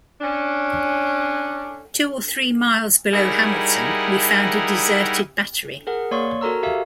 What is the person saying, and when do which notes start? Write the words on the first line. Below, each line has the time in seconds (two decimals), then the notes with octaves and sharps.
Two or three miles below Hamilton we found a deserted battery.
0.21 C#4 D4
3.12 G3 D#4 E4 G#4 A#4 F#5
5.87 G#4 A#4 F#5
6.11 A#3 C#5 D5 C6 C#6
6.41 F#4 A4 A#4 A#5 E6
6.63 F#4 G4 E5 F5